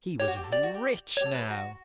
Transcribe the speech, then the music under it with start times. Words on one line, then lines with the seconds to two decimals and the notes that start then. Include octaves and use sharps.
He was rich now.
0.20 G4 C#5
0.28 F#4
0.36 G4
0.43 A4
0.52 G4 D5
0.63 F#4
0.74 G4
1.17 G4 C#5
1.25 A4
1.34 B4
1.42 A4
1.50 F#4